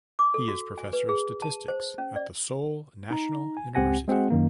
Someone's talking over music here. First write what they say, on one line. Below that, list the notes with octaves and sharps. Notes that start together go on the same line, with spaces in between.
He is Professor of Statistics at the Seoul National University.
D6
A4
F#4
G#5
B4
G#4
A5
C5
C#4
D5
D#4 A#5
G#5
C#2 C4 G4 F#5 G#5 A#6
G#3 C4 F#4 G#4 F#5
F#2 D#3 A#3